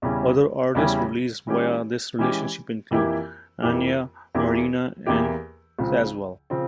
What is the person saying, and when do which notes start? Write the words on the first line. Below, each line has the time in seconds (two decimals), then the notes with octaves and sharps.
Other artists released via this relationship include Anya Marina and Cazwell.
0.02 E2 C#3 G3 C#4 E4
0.75 E2 C#3 G3 C#4 E4
1.47 E3 G#3 C#4 G4
2.19 E3 G#3 C#4 G4
2.91 F2 E3 A#3 E4 G4
3.62 F2 E3 A#3 E4 G4
4.35 E2 E3 A#3 E4 G4
5.06 E2 E3 A#3 E4 G4
5.79 C#2 C#3 F3 C4
6.50 C#3 F3 C4